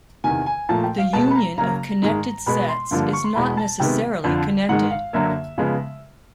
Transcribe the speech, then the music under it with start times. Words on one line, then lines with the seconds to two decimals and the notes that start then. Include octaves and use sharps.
The union of connected sets is not necessarily connected.
0.24 E2 C3 D#3 G#5
0.46 G#5
0.69 A#2 F3 A3 A5
0.84 G5
0.98 F5
1.13 B2 G#3 B3 A5
1.31 B5
1.36 A#5
1.58 C#3 F#3 A#3 A#5
2.02 G#2 D#3 G#3
2.46 B2 G#3 B3 B5
2.69 C6
2.91 G2 D3 F3 A#3
3.13 C#6
3.24 C6
3.35 E2 B2 G#3 B5
3.57 A5
3.80 C3 D#3 G#3 B3 G5
4.24 F2 D3 F3
4.69 G#2 D#3 G#3 F#5
4.91 F5
5.13 F#2 D3 F#3 A#3 E5
5.58 C#3 F3 G#3 B3